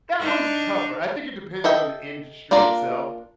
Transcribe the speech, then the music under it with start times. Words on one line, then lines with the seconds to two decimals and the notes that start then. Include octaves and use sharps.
that one's tougher. I think it depends on the industry itself.
0.20 D4 D#4
1.64 A4 D#5 E5 G5
2.51 A#3 D4 F4 D5 A#5